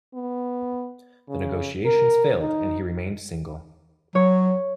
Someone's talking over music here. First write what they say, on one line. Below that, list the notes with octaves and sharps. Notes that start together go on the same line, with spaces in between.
The negotiations failed, and he remained single.
B3
C#3
A#4
D#4
F#3 C#5